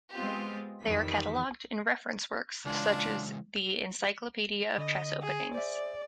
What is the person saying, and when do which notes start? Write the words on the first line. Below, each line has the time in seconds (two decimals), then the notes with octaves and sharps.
They are catalogued in reference works such as the "Encyclopaedia of Chess Openings".
0.13 G#3 B3 C4 F4 G4
0.82 F2 D#3 E3 G3 B6
2.66 C#3 E3 G#3 D4 F4
4.78 D3 D#5
5.22 G#4
5.54 C5 D5 E5